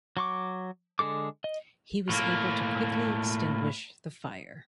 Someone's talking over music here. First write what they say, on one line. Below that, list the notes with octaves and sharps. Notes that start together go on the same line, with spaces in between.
He was able to quickly extinguish the fire.
F#3 C#6 D6
D3 G#3 A4 D6
D#5
A2 A#3